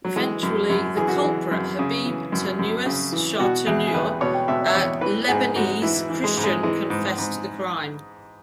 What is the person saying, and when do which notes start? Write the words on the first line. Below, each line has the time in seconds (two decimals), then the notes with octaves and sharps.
Eventually, the culprit, Habib Tanious Shartouni, a Lebanese Christian, confessed to the crime.
0.05 F#3
0.16 E3 G#3
0.43 F#2
0.70 F#2
0.97 E3 G#4
1.08 F#4
1.19 E3 G#4
1.51 F#2
1.79 C#3
2.06 E3
2.32 F#2
2.59 F#2
2.86 C#3
3.12 E3
3.39 B2 F#4
3.66 E2 G#4
3.87 G#4
3.94 E2 B4
4.21 B2 C#5
4.48 B2 E5
4.66 E5
4.75 E2 C#5
5.01 E3 B4
5.28 G#2 G#4
5.56 G#2 F#4
5.82 E3 E4
6.10 E3
6.24 G#3
6.37 G#2
6.44 G#3
6.63 E3 G#3
6.90 G#2
7.18 G#2